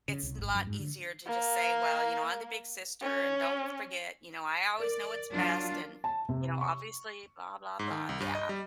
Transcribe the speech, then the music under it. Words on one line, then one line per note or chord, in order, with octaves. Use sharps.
it's n a lot easier to just say, "Well, you know, I'm the big sister and don't w forget, you know, I always know what's best and, you know, obviously blah blah blah," yeah.
C#3
C2
G#1
F#2
G#2
D3
A#3
C#4
A#4 D5
F#3 D4 F4
A5
C3
C#6
G#2
D#3
C2
G2
D#5
G3